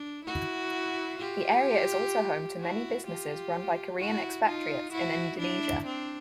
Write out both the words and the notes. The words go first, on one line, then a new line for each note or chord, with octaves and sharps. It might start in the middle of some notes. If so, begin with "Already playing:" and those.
The area is also home to many businesses run by Korean expatriates in Indonesia.
Already playing: D4
E4 F#4
F4 G4
E4 F#4
F4 G4
E4 F#4
D#4 F4
E4 F#4
D4 E4
C4 D4